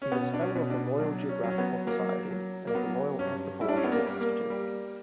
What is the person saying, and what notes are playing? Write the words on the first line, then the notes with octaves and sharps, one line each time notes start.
He was fellow of the Royal Geographical Society and of the Royal Anthropological Institute.
C#4
B2 B3
D4
C#4
B2
D4
F#3 D4
C#4
F#3
C#4
B3
F#3 A#3
F#3
A#3
F#3 B3
G2 C#4
G3 E4
D4
C#4
B3
A#3
G3
A#3
G3